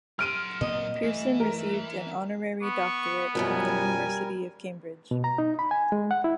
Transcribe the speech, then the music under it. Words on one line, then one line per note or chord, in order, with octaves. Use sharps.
Pierson received an honorary doctorate from the University of Cambridge.
F#3 C6 F6 D7 D#7
A#2 A#3 C4 D#5
G2 E3 A3
A#4
B3 C#6
F#2 B2 F3 G3 A#4 G#5
B2
A#5
D#4
B5
G#5
G#3
F#5
E4